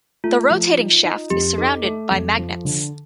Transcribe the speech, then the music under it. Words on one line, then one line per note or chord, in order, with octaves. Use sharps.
The rotating shaft is surrounded by magnets.
A3 F4
F3
D#4
D#4
F2 G4
D#4 A4
A3 A4
F2
F3
D3